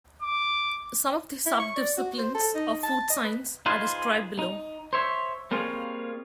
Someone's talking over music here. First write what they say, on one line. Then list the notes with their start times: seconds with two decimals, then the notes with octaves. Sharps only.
Some of the subdisciplines of food science are described below.
0.22 D6
1.46 E4
1.60 C#6
1.76 D5
1.97 F#4
2.18 C5
2.35 A4
2.55 D#4
2.83 A5
3.10 D#5
3.25 B4
3.66 D#4 F4 G#4 B4 C5
4.39 D#4
4.93 C5 C#5 E5
5.51 G3 A#3 C4 F4 G#4 C#5